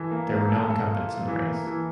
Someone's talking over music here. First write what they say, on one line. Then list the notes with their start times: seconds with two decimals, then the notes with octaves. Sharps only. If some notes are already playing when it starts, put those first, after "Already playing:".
There were no incumbents in the race.
Already playing: E3 A4
0.11 A#3
0.31 A#3
0.50 A4
0.70 A4
0.89 F4
1.08 F4
1.28 E3
1.47 A#3
1.67 E3